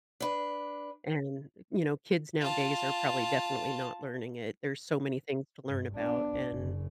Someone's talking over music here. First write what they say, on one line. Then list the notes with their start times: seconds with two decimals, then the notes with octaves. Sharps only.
and, you know, kids nowadays are probably definitely not learning it, there's so many things to learn about, and,
0.20 D4 B4
2.41 F4 A5
5.67 G2
5.96 B3 D4
6.50 F#1 C#3